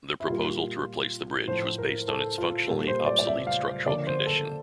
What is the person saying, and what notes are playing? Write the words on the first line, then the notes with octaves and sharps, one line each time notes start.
The proposal to replace the bridge was based on its functionally obsolete structural condition.
E4
A#2 G3 A#3 F4
A2 F3 A3 C5
A#4
A4
F4
A#2 G3 A#3 A4
C5
D5
D5
E5
F5
D3 F3 A#3 D5
C5
A4